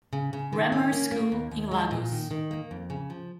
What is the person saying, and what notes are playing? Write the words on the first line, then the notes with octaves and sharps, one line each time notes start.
Grammar School, in Lagos.
C#3
C#3
D#3
C#4
A#3
A#3
D#2
D#2
G#3
A#2
D#3
D#3
A#3
F2
C#3
F3